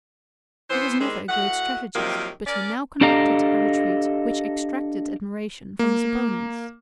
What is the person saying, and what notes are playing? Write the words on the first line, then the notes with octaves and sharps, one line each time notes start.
He was never a great strategist, but he now conducted a retreat which extracted admiration from his opponents.
E3 B3 C5
D#3 G3 G#3 C4
A2 F#4 F#5
C3 D#3 F3 F#3 A#3
C#4 A#4 D5
D4 G4 A4 D#5 F5 A#5
A#3